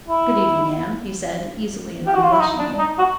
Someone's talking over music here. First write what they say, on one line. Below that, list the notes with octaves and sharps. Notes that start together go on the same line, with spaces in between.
"Good evening, Anne," he said, easily and unblushingly.
E4
G4
F#4
F4
E4
D#4
D4
D#4
F#4